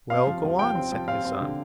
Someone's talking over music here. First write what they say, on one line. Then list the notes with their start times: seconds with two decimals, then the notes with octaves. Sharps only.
"Well, go on!" said his son.
0.10 C4 F5
0.27 F3
0.43 D#2
0.59 F3 G5
0.75 C4
0.92 F3
1.08 C4 F5
1.25 C4
1.41 D3